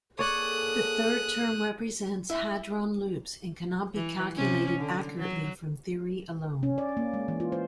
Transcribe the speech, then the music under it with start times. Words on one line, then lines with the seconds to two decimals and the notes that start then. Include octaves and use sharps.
The third term represents hadron loops, and cannot be calculated accurately from theory alone.
0.19 A#3 G#4 A4 C#5 D5 D#6 F#6
2.30 E4
3.94 E3
4.35 C3 C#4
4.78 D3
5.19 F#3
6.63 C#4
6.78 D5
6.97 A#3
7.14 G#3
7.28 E3
7.40 F4
7.52 C5